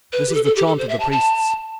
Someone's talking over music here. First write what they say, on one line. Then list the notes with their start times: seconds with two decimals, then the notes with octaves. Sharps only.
This is the chaunt of the Priests.
0.12 B4
0.29 G4
0.34 A4
0.45 A4
0.56 G4
0.67 A4
0.78 C5
0.89 E5
1.00 A5
1.12 A5